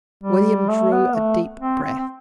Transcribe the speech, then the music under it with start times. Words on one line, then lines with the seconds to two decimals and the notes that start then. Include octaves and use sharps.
William drew a deep breath.
0.23 G3
0.69 A3
0.91 B3
1.15 A3
1.61 C4
1.83 C4
1.98 C4